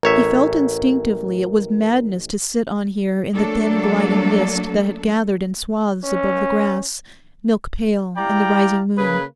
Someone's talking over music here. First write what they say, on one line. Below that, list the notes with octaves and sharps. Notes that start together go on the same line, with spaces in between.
He felt instinctively it was madness to sit on here in the thin gliding mist that had gathered in swathes above the grass, milk-pale in the rising moon.
A1 A#4 C#5 E5
F#3 A3 A#3 D4 A4
C#4
E4 G4 D5 F5 G5 A#5
C#3 A#3 G#4 B4